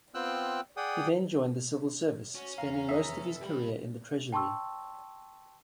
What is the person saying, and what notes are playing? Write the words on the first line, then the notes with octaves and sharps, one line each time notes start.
He then joined the Civil Service, spending most of his career in the Treasury.
B3 C4 F4 G5 E6 F#6
G#4 D5 F#5 G5 D#6
C#4 F#4
E2 E3 F5 A#5
F1 E5 D#6 C7
A4
G2 G3 B5
G5 A5 C6 C#6 E6